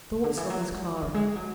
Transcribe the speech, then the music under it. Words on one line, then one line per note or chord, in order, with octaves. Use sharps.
Thoughts of His Clara.
C#3
D3
E3
F#3
G#3
F#3
G#3
F#3